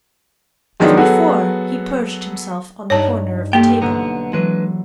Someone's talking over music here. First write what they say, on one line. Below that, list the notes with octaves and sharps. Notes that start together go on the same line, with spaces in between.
As before he perched himself on the corner of the table.
D#3 F3 F#3 G#3 B3 D4
F#3 B3 F#4 G#4 A4
G2 D#4 C#5 A5
A#3 G4 A4 C5 G5
B1 D3 B3 A#5 F#6
E3 F#3 G#3 D4 B4